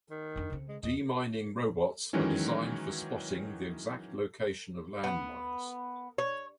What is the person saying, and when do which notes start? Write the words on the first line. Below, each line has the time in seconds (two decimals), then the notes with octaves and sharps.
Demining robots are designed for spotting the exact location of land mines.
0.10 D#3
0.36 F2 D4
0.50 C#3 C4
0.69 G#3
0.83 E2 D#5
2.13 D#3 E3 F#3 G#3 C#4
5.04 B3
6.18 C#5